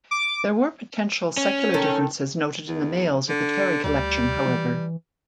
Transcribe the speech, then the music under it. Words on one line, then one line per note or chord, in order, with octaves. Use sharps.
There were potential secular differences noted in the males of the Terry collection, however.
D6
C#4
D#3 A4
E2
D3
D2 G3
E3